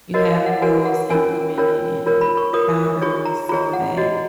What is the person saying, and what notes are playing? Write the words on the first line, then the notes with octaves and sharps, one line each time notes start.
you have rules implemented and boundaries so that
F#4 A#4 C#5 D#5
F5
F#5
F#4 A#4 C#5 G#5
F#5
C#4 F4 A#4 C#5 G#5
C#4 F4 A#4 C#5
F4 A#4 C#5
B5
C#6
F4 A#4 C#5 D#6
F4 G#4 C#5 C#6
A#5
F4 G#4 C#5 A#5
F#5
F#4 C#5 D#5